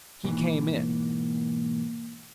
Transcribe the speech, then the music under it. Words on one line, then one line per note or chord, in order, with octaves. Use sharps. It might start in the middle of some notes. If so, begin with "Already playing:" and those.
He came in.
G#2 B2 E3 A#3